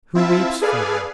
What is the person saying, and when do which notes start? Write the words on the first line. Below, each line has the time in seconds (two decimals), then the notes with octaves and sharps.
Who weeps for them?
0.15 C4 E4 F4 E5 A5
0.61 G#4 A4 B4 D5 F5 G#5